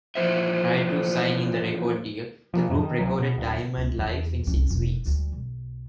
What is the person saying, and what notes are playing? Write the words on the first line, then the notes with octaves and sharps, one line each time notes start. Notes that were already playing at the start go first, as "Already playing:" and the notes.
Prior to signing the record deal, the group recorded "Diamond Life" in six weeks.
A#2 E3 F3 B3 C5 E5
F3 A#3
F2 A2 C3 F#3
D#3
D2 C3 F#3
B2
D1 D2
C#2
E2 E4
C2 C#4
E1
D2 G3
B1